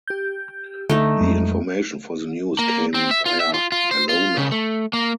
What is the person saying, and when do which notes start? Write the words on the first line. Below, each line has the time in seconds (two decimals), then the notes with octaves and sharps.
The information for the news came via "Bellona".
0.08 G4 G6
0.90 D3 A3 D#4
1.17 F2 F#3 G#3
2.59 A#3
2.94 C4
3.11 E5
3.26 F4
3.40 E5
3.54 F4
3.72 F4
3.91 C5
4.09 F4
4.37 C#3
4.51 A3
4.93 A#3